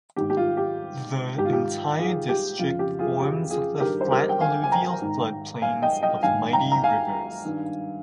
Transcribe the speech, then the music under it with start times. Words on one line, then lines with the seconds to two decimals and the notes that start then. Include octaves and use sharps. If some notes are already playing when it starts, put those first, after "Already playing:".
The entire district forms the flat alluvial flood plains of mighty rivers.
0.16 G#2 D#3 G4
0.30 G4
0.37 F4
0.57 G4
1.38 G#2 D#3 G4
1.45 F4
1.52 G4
1.99 F4 G#4
2.29 G4
2.59 F2 C#3 F4
2.79 G4
2.99 F4 G#4
3.20 G4
3.50 F4 G#4
3.80 G2 D#3 G4 A#4
4.01 C5
4.11 G4 A#4
4.29 G5
4.41 F5 G#5
4.64 G#5
4.72 G5 A#5
5.02 G#2 D#3
5.62 F5 G#5
5.82 D#5 G5
6.03 D#5 G5
6.23 G#2 D#3 F5 G#5
6.53 G5 A#5
6.72 A#5
6.83 F5 G#5
7.44 G2 D#3